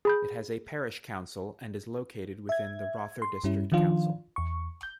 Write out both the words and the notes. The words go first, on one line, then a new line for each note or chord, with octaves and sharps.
It has a parish council and is located within the Rother District Council.
G#4 B5 G6
E5 G#6
C6
G2 G3 C#4 E4
D#3 F3 D4 F4
E2 C#6
G6